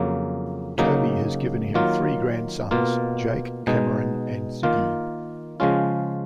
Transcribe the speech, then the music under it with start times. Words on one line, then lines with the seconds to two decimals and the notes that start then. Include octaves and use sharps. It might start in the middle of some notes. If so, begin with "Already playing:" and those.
Toby has given him three grandsons, Jake, Cameron and Ziggy.
Already playing: F2 C#3 F#3 A#3
0.78 C#3 F#3 A#3 D#4
1.74 D#3 F#3 A#3 F4
2.71 B2 A#3 F4
3.67 B2 G#3 D#4
4.63 D#3 A#3 F4
5.60 C#3 F3 G#3 C#4 F4